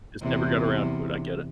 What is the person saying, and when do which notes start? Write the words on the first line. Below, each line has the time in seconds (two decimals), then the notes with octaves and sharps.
Just never got around to it, I get it.
0.22 E2 C3